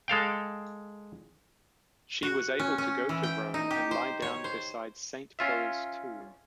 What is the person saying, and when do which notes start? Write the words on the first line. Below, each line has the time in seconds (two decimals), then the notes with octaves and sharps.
She was able to go to Rome and lie down beside Saint Paul's tomb.
0.08 G#3 A4 F5 G5
2.23 F#4
2.59 C#4
2.78 C#4
3.09 E3
3.23 G5
3.54 D#4
3.71 G4
3.91 C5
4.22 C#5
4.44 C5
5.39 C#4 F4 E5